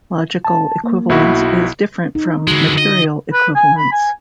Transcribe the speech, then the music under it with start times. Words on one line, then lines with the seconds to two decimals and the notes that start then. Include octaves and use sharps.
Logical equivalence is different from material equivalence.
0.45 A5
0.84 A#3
1.09 B1 E4 F#4
2.15 D#4
2.48 D3 E3 G#3 F#4
2.78 D#5
3.33 B4
3.56 G#5
3.78 B5
3.92 G#5